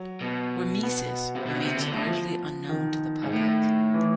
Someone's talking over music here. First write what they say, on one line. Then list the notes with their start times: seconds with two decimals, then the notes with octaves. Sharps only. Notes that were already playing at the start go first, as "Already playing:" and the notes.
Hormesis remains largely unknown to the public.
Already playing: F#3
0.21 B2
0.83 B3
1.35 C3
1.46 B2
1.55 C#3
1.61 C3
1.77 D3
1.92 A2
2.07 F3
2.69 D#3
3.23 G#2
3.32 A2
3.94 E3